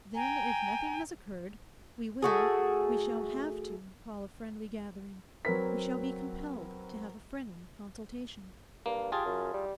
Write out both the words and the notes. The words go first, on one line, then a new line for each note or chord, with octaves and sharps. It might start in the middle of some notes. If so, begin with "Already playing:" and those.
Then, if nothing has occurred, we will, we shall HAVE to call a friendly gathering, we shall be compelled to have a friendly consultation.'
G5 G#5 A#5
A3 F#4 G#4
F#3 C4 A#4 B4 B6
G2 A#3
F4 G4 G#4 A5
F#2
G3